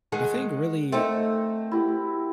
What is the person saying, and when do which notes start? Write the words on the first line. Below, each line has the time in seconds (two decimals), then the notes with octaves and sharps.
I think really,
0.12 D#3 G#3 G#4 F#5
0.92 A3 C4 D#4 A#4
1.71 E4 F#4 G4